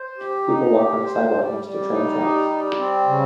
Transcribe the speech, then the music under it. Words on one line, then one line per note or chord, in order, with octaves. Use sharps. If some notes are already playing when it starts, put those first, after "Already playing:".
People walk on a sidewalk next to tram tracks.
Already playing: C5
G4
D#4
G4
C5
G3
G3
D#4
G3
G3
C4
C#3